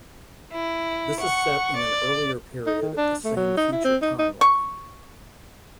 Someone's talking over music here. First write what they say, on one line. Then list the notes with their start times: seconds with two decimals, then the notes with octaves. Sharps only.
This is set in an earlier period of the same future timeline.
0.52 E4
1.20 F#5 C#6
1.76 D5
2.66 D#4
2.83 D#3
2.97 D4
3.25 A3
3.36 F#3
3.57 D#4
3.72 E4
3.84 C4
4.02 D#4
4.19 D#4
4.41 C#6